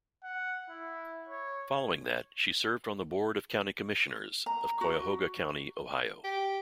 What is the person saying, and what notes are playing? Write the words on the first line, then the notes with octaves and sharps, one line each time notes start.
Following that, she served on the Board of County Commissioners of Cuyahoga County, Ohio.
F#5
E4
C#5
A#5
F#4
G4